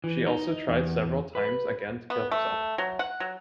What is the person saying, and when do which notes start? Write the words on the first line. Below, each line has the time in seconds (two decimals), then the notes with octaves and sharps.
She also tried several times again to kill herself.
0.04 E3
0.26 D#4
0.68 E2
1.35 B4
2.10 B3
2.32 A3
2.78 F#3
2.99 F#5
3.20 F#3